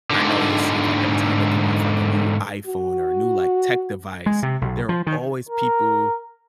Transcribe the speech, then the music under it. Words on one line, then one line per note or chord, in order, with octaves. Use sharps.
I know you'll see if like, every time they come off, like, a new iPhone or a new, like, tech device, there are always people
G#2 D3
F#4
G#3
C3
B1
F3
D#3
A#4